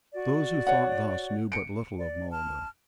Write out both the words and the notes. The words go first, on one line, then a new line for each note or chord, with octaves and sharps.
Those who thought thus knew but little of Marlborough.
F#4 D5
C#5 F#5
C#7 D7
D5
A5 F6